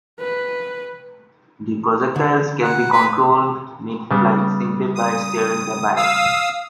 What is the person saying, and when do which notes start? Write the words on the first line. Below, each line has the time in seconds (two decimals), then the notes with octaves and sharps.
The projectiles can be controlled mid-flight simply by steering the bike.
0.20 B4
2.16 D3
2.63 F#5
2.92 B4
4.11 C#3 G3 B3
4.95 D#6
5.97 F5 D#6 E6